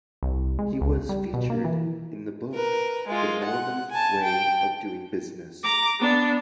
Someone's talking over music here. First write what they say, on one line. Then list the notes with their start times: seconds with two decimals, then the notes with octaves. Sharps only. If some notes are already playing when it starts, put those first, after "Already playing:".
He was featured in the book The Mormon Way of Doing Business.
0.23 C2
0.59 G#3
0.81 C#2
1.09 G3
1.33 B2
1.50 A#3
1.64 E3
2.53 A#4 B4
3.08 G#3 F4
3.44 F#5
3.91 G#5 A5
4.22 G5
5.63 A#5 D6
6.00 B3 D4